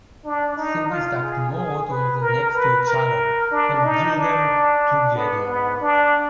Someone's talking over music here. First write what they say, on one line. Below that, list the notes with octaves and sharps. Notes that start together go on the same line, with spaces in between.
Simply stack more rotors next to each other, and gear them together.
D4
D#4
F4
G#4
G#4
B4
A#4
B4
A#4
D4
D#4
D4
B3
B3
D4